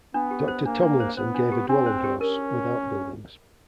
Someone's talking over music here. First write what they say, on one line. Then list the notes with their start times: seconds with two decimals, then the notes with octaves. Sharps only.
Doctor Thomlinson gave a dwelling house, with outbuildings.
0.14 B3 D4
0.31 G4
0.48 C5
0.66 A#3 D4
0.83 D4
1.00 C5
1.17 B3 C5
1.34 D4
1.52 G4
1.69 C4 D4
1.86 C5
2.04 G4
2.20 C#4 A#4